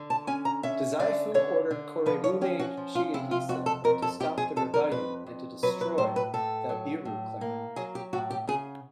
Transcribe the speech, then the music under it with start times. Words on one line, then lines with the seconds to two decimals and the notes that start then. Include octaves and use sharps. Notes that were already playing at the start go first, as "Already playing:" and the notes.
Dazaifu ordered Koremune Shigehisa to stop the rebellion and to destroy the Abiru clan.
Already playing: D3
0.10 A5
0.27 C#4 G#5
0.45 A#5
0.63 C#4 E5
0.99 D3 D5
1.34 D3 C#5
1.71 D3
2.06 F3 B4
2.24 C#5
2.41 C#4 G4
2.59 F#4
2.77 F3
2.95 F4
3.14 C3 E4
3.31 F4
3.49 F2 F#4
3.66 A4
3.84 F2 A#4
4.02 A4
4.20 F2 G4
4.38 G#4
4.56 F2 A4
4.74 A#4
4.92 F2 B4
5.27 F2
5.63 F#3 B4
5.81 B4
5.98 A2 C5
6.16 B4
6.34 A2 A4
6.69 F#3
7.05 A2
7.41 A#3
7.76 F#3 G#4
7.95 G4
8.13 A2 F#4
8.30 G4
8.47 C#3 G#4